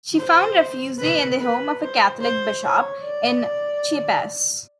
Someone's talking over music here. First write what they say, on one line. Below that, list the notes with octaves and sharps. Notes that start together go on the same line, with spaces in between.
She found refuge in the home of a Catholic bishop in Chiapas.
C5
B4
B4
C5
C5
C#5
D5